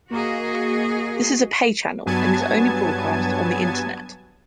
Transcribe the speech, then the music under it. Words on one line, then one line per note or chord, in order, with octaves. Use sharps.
This is a pay channel, and is only broadcast on the Internet.
A#3 F#4 G#4 D#5
G2 F#3 B3 G#5 A5 G#6